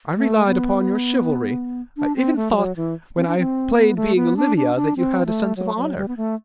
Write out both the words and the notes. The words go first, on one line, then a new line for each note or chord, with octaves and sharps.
I relied upon your chivalry; I even thought, when I played being Olivia, that you had a sense of honor.
A3
B3
D4
C4
A3
G3
F#3
E3
C4
D4
C4
B3
A3
B3
D4
D4
D4
C4
A3
F#3
F#3
G3
B3
A3